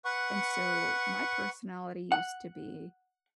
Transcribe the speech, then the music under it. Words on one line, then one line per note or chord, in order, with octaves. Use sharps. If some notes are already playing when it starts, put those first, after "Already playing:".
And so, my personality used to be,
B4 F#5 C#6
F#5